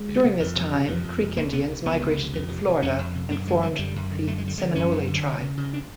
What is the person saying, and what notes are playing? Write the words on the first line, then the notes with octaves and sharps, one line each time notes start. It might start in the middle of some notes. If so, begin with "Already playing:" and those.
During this time, Creek Indians migrated into Florida and formed the Seminole tribe.
Already playing: G#3
D2
C3
F2
C3
C3
F2
F2
C3
C#2 A#3
C3 B3
C3
C#2 B3
C#2
C3
F2
C3
C3
F2 C#4
F2
C3
F#2 D4
D3 G#3
D3 G3
F#2 G3
F#2
D3
F#2 A3
G#3
D3 G3
D3 G#3
F#2 C#4
F#2
D3
D2
C#3
C#3
D4